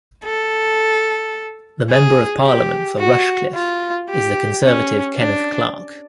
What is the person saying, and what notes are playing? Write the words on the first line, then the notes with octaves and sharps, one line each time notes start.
The member of parliament for Rushcliffe is the Conservative, Kenneth Clarke.
A4
G#4
G4
F#4
F4
G4
C#4
D4